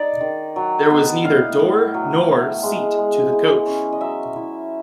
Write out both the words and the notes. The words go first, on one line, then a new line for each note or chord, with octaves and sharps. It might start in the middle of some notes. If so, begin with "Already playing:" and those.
There was neither door nor seat to the coach.
Already playing: D#4 D5
D#3
F#3
B3
A2 F5
A2
F#3
A3
G#3
G#3
E3
C#4
D#5
F#3 E5
E4